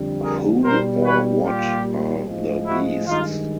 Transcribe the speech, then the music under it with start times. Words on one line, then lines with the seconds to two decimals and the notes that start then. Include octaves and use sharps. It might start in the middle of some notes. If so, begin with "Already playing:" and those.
Who, or what are the 'beasts'?
Already playing: F2 D3 G3
0.22 G#4 A#4
0.63 B2 G3 A#4 C5
1.03 B4 C#5
1.44 A#2 G3 F4 G4
2.26 A2 F3 G#3
2.66 E4 F#4
3.07 G2 D#3 G#3 D#4 F4